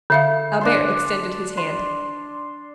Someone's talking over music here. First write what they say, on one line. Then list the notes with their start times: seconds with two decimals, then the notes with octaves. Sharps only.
Albert extended his hand.
0.10 D3 E5 F5
0.61 D4 A5 C6
1.57 C6